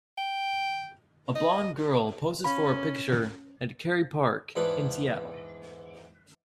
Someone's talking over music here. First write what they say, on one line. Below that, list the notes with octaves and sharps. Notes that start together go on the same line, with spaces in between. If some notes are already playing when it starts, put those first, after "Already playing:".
A blond girl poses for a picture at Kerry Park in Seattle.
G5
D#5
C#4 F5 B5
E2 G#2 E3 D4 B4